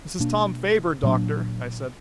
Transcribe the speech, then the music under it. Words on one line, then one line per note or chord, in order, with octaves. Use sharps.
"This is Tom Faber, Doctor," I said.
B2 A#3 D4
A#2 F#3 A#3 D4